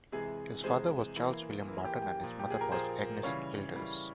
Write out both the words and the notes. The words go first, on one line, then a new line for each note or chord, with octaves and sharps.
His father was Charles William Barton and his mother was Agnes Childers.
C3 E3 G#3 G#4
C3 E3 G#3 G#4 C5
E3 A#3
E3 A#3
G4
G4
A#2 F3 A#3
G4
G#4
A#4
A#2 F3 A#3 G#4 C5
C#3 E3 G3 C#5 F5
C#3 E3 G3